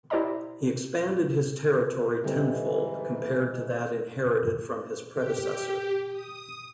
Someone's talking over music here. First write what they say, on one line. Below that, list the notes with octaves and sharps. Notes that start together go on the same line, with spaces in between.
He expanded his territory tenfold compared to that inherited from his predecessor.
E4 G4 C5 D5 D#5 A#5
G#2 D3 E3 G3 C4
G4
D#6